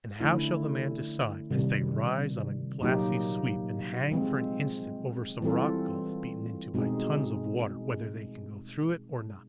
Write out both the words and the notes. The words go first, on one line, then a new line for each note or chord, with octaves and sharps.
And how shall the man decide, as they rise on a glassy sweep and hang for an instant over some rock-gulf beaten into by tons of water, whether they can go through it or not?
D3 F3 A3 C#4 E4
C3 D#3 G3
A#2 F#3 A#3 D#4 G4
F3 G#3 C4
E3 G3 C4 F4 A4
B2 G#3 C4 D#4 G#4